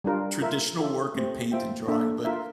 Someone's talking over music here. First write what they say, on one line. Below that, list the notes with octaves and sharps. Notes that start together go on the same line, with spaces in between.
traditional work and paint and drawing, but
G3 D4 F4 A#4
F4 A#4 E5
F4 A4 E5
A3 C4 G4 C5
A#3 F4 C5 E5 G5
A#3 D4 A4 E5
F4 A#4 E5